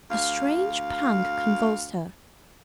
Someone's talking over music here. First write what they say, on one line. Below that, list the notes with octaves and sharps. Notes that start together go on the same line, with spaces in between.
A strange pang convulsed her.
D2 F5